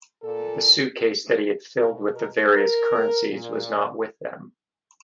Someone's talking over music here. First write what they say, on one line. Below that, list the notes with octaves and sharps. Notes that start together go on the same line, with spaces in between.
The suitcase that he had filled with the various currencies was not with them.
A#2 A4
B2 A#4
A#4
A#4
A#2